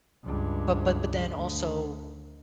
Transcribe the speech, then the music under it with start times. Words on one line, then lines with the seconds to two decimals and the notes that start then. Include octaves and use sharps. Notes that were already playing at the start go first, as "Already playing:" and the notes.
but but but then also
0.24 C#2 G2
1.30 D2